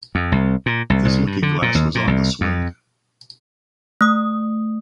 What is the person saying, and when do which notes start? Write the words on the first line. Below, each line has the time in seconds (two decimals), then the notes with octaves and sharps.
His looking-glass was on the swing.
0.15 F2
0.32 C2
0.66 A#2
0.90 C2
1.05 C2
1.27 G2
1.43 D3
1.62 A#2
1.75 D#2
1.95 A#2
2.07 C2
2.41 F2
4.01 A3 D#6